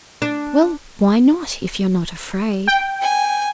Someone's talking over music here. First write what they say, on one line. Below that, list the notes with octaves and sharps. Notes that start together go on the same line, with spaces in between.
"Well, why not, if you're not afraid?"
D4
G5
G#5